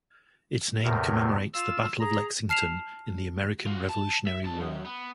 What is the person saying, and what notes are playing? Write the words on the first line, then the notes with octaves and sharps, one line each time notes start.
Its name commemorates the Battle of Lexington in the American Revolutionary War.
E2 A2 C3 A#4
F4 F5 E6
G#4 A#5
A5 F6 C7 E7 F7
F4 F#4
A5
E5
B1 A5
F#2
B3